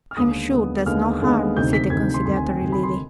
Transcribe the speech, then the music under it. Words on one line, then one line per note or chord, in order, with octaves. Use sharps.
"I'm sure there's no harm," said the conciliatory Lily.
F6
D#2 D3 G#3 B3 D#6
D#2 D3 G#3 B3
D#2 D3 G#3 B3 F6
D#2 D3 G#3 B3
D2 C3 D#3 G6
B6
D2 C3 D#3 G#6
C6
D2 C3 D#3 C6
G#5
G5
D2 C3 D#3 G#5
B5
C6